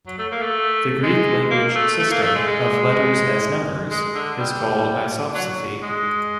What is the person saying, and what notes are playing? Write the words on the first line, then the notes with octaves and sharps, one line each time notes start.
The Greek language system of letters-as-numbers is called isopsephy.
F#3
A3
A#3
A3
G#3
A#3
A3
A3
A#3
A3
G#3
G#3
G#3
D3
G3
F#3
G#3